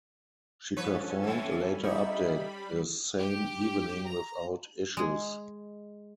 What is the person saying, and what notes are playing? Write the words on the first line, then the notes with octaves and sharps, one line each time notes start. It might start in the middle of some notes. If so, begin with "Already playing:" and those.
She performed a later update the same evening without issues.
F3 C#4 A4 B4 C#5 G#5
E3 B3
G3 B5
D#4 E4
G4
A#5
G#3 G#4